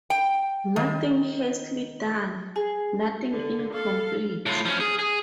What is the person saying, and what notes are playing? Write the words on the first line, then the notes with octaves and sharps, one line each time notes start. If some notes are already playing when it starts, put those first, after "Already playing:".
Nothing hastily done; nothing incomplete.
G5
D#3
G#4
D3
A4 F5
A2 F4
F3 C#4
G#4
G#4